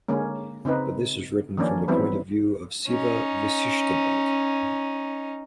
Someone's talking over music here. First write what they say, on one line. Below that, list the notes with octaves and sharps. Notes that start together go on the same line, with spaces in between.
But this is written from the point of view of Siva-visishtadvait.
D3 G#3 A#3 C#4
C#3 C4 D#4 B4
D#3 F3 A#3 C#4 D4
E3 F#3 G3 B3 C4 E4
C#4 D#4